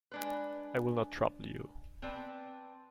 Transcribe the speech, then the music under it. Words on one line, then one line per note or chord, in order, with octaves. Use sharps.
I will not trouble you.
G#3 D4 B4
C4 B4 D5 A5